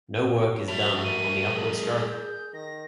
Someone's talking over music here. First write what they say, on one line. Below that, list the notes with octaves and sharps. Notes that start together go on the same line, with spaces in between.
No work is done on the upward stroke.
G3 A3 F#4 F7
A#4 D#7
G#4
G6
D#3 A#6